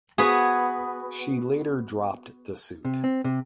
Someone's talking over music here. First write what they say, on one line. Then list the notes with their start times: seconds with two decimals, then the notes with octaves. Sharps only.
She later dropped the suit.
0.18 B3 F#4 G#4
2.85 C3
3.04 C4
3.24 C3